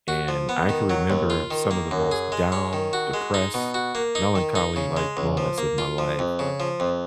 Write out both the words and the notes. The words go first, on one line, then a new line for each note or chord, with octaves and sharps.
And I can remember some of the most down, depressed, melancholy-like moments of my life
F#4
F3
B3
D#3
F#3
D#2
F4
D#3
A#3
F#2
G#4
G#3
C#4
D#3
F#4
G#3
D#4
B2
F#4
A#3
D#4
D#3
D#4
C#3
G#3
C#2
F3
A#3
F4
F3
F2
C#3
F3
F2